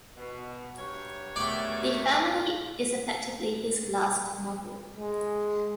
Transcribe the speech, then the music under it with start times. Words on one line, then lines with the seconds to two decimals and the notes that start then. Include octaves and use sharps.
"The Family" is effectively his last novel.
0.17 B2
0.78 G2 F#3 C#5
1.36 E2 D#3 A3 D5 G5
4.98 G#3